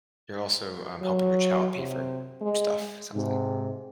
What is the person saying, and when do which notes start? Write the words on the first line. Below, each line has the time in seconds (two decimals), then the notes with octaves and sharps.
you're also, um, helping your child pay for stuff, it sounds like.
1.02 F#3
1.76 C3
2.41 G#3
3.14 G#2 C3